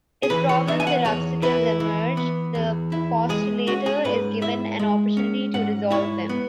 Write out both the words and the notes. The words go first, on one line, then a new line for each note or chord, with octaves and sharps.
If problems or obstacles emerge, the postulator is given an opportunity to resolve them.
G#4
E3 B4
C#5
B3 E5
G#5
F#5
E2 C#5
E4 B4
E3
B3
E2
E4
G#3 G#4
C#4 F#4
G#4
G#2 B4
E4 E5
G#3
C#4
G#2 F#5
E4 C#5
B3